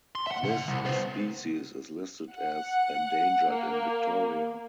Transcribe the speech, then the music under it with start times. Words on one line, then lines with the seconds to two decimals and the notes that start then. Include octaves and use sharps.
This species is listed as "endangered" in Victoria.
0.15 C6
0.27 E5 F#5
0.43 C3 F#5
0.67 C2
0.85 B3 C5
2.31 F#5
3.48 A#3